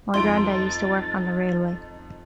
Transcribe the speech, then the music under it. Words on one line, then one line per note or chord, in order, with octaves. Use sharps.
My grandad used to work on the railway.
F2 D#4 C6 A6 D7